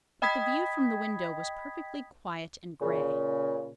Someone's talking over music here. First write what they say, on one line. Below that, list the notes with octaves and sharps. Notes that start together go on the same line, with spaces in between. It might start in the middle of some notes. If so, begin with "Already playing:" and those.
But the view from the window was perfectly quiet and grey.
D#5 G5 B5 D#6 G#6 B6
A#2 C#3